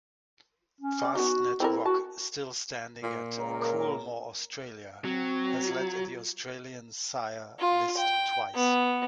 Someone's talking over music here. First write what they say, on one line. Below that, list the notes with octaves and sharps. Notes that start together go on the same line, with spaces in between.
Fastnet Rock, still standing at Coolmore Australia, has led the Australian sire list twice.
C#4
D5 D#5
B3 D#4 F#4
C4 E4 A4 A#4
F#4 A5
A#2
C#2 C#4 A#4
F#3 C4
F4
F4
G5
B3